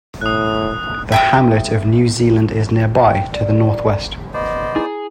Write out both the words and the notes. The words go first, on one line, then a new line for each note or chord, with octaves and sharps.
The hamlet of New Zealand is nearby, to the northwest.
A2 D#6 F#6
E5 G5 D#6
G5
D5
B3 C5 D5 D#5
E4 G#4